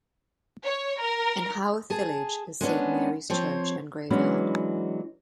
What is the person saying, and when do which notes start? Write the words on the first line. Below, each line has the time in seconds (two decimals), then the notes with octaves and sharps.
In Howth village is Saint Mary's Church and graveyard.
0.63 C#5
1.01 A#4
1.90 G#4 A5
2.61 G#3 B3 C#4 D4
3.30 F3 C4 C#5
4.10 E3 F#3 G#3 B3 C#4 D4